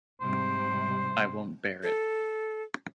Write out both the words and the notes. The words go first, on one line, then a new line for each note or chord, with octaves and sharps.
I won’t bear it.
G#2 C3 G3 C5
A4